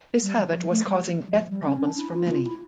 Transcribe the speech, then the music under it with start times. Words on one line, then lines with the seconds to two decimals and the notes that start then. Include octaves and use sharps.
This habit was causing debt problems for many.
0.22 G3
0.38 F3
0.54 F3
0.70 A3
0.86 G3
1.28 F3
1.49 G3
1.65 C#4
1.81 D4
1.97 E4
2.13 F4
2.28 F4
2.44 E4